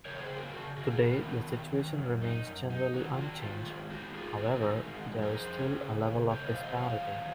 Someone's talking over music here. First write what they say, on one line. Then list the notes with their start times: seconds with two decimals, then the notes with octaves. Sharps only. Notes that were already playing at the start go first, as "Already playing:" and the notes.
Today the situation remains generally unchanged; however, there is still a level of disparity.
0.05 C#3 A#4 C#5
0.17 C#5
0.21 G#4 C5
0.30 C#3
0.38 F#4 A#4
0.54 C#3 F#4
0.77 C#3 F#4
0.90 F4 G#4
1.02 D#3 F#4 A#4
1.26 D#3
1.50 D#3
1.74 D#3
1.98 F#2
2.22 D#4
2.46 F#2
2.70 D#4
2.94 D#3 F#4
3.14 F4
3.18 D#3 F#4
3.42 D#3 F4
3.66 G#3
3.90 D#4 F#4
4.14 D#4 F4 G#4
4.38 D#3 F#4 A#4
4.62 D#4
4.86 G#3
5.10 F2
5.22 A#4
5.33 F2 G#4 C5
5.58 C#4
5.82 C#3
6.06 C#3
6.30 C#3 A#4 C#5
6.46 C5 D#5
6.54 F#3 F5
6.62 C5 D#5
6.78 D#3 C#5 F5
7.02 F#3